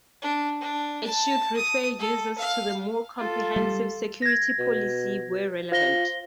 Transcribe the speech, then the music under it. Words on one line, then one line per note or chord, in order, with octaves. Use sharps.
It should refer users to the more comprehensive security policy where relevant.
D4
D4
A5
D#6
A4
F5
F4 A4
G3
G#6 A#6
B2
F4 C5 A#6 G7